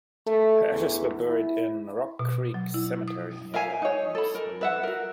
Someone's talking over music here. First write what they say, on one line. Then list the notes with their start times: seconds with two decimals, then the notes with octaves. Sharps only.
Her ashes were buried in Rock Creek Cemetery near the Adams Memorial.
0.27 A3
0.71 E2
1.27 E4
2.19 B2
2.54 F#3
2.74 E4
3.08 D#6
3.54 A#4 E5 F5 G#5
3.82 D#4 C#5
4.15 A4 B5
4.35 A#4
4.61 B4 E5 F#5
4.83 F#4 A#4